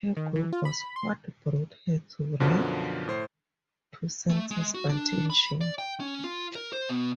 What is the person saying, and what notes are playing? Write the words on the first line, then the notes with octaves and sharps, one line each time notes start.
Her group was what brought her to Right to Censor's attention.
D#3
E3
F4
B5
C6
F#2 B2 D3 F3
A2 C5 C7
A3
G#3
F#4
D4
B5
D5
G5
C#4
F4
A#4
C5
B2